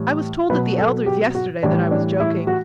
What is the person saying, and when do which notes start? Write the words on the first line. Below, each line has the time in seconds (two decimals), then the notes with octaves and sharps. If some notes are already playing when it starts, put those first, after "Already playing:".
I was told at the elder's yesterday that I was joking.
Already playing: A2 E3 G3
0.50 B2 F#3 B4
0.78 A4
1.06 G4
1.35 F#4
1.63 A2 E3 G3 D4
1.91 D4
2.20 E4
2.47 F#4